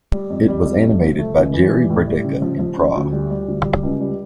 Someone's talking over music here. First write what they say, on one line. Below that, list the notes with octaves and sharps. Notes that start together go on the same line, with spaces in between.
It was animated by Jiri Brdecka in Prague.
G3
F2
G3
F2
A3
F3
A3
C#2
E3
G3
A2
G3
C#3
F3
F3
C#4
D2
G3
G3
D2
G3
C#2
G3